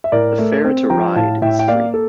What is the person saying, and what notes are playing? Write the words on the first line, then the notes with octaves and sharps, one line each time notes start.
The fare to ride is free.
E5
A2 A#4 D5
A3
C4
F3 G5 A#5
A2 F5 A5
A2 E5 G5
G5
A#3 D5 F5
A4